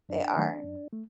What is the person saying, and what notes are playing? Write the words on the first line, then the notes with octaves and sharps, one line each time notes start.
they are.
F#2 D4
D#3 F#3 A3
F#2
A3